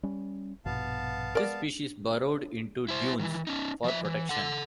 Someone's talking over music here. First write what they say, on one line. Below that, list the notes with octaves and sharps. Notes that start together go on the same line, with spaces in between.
This species burrowed into dunes for protection.
G3 C#4
A#1 G2 B2 B3 F5 A5
A#4 D5
E4 C5
D#3 E3
C#4 D#4
F3 E5
E3
A4 F#5